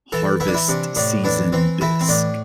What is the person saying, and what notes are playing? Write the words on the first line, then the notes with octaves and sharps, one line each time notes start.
harvest season bisque.
E3 A4
E3 E4
D4
E4
C3 D4
A2 D4
E3 D4
E3 C4
E3 E4
C4
A2 D4